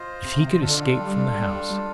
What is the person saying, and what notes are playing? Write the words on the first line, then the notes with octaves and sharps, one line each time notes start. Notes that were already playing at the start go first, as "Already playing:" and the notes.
If he could escape from the house!
Already playing: F4 C5 D#5
C3
D3 D4 F4 A4
G3
G3
G3